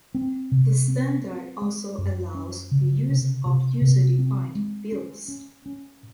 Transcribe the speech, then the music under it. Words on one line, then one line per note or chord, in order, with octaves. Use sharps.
The standard also allows the use of user-defined fields.
C4
C3
C4
C4
G#3
F#2
C#4
C#3
C3
C3
C3
C4
G#3
C#4
C#4
C#4